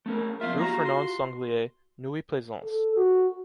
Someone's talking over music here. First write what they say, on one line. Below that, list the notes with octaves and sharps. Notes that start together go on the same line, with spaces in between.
Rue Fernand Sanglier, Neuilly-Plaisance.
A3 C#4 A#4
F3 A#3 F4 E5
F4 F#4 A#5
C6
A4
F#4